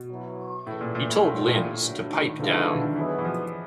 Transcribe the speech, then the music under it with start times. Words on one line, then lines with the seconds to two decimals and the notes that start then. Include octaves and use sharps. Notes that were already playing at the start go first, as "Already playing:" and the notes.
He told Linz to pipe down.
Already playing: B2
0.09 F#3 B3 E4
0.67 A2 C#3 E3 A3
0.81 A#2
0.95 A#2
1.09 A2
1.24 A2 C#3 F3 A#3 D4 F4
1.39 A2
1.46 A#2
1.54 A2
1.82 G2 D3 F#3 A3
2.10 D#3
2.24 D#3
2.38 D3 F3 G#3 B3 E4 A4
2.53 D#3
2.67 E3
2.75 D3
2.81 D#3
2.96 B2 E3 F#3 B3 E4 G#4
3.18 E3
3.24 F3